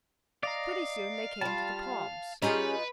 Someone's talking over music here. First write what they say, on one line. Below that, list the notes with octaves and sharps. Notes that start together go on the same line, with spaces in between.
Pretty soon they came to the palms.
D5 D#5 F5 A#5
G3 F4 A5
C#4 D#4 F4 G4 G#4 B4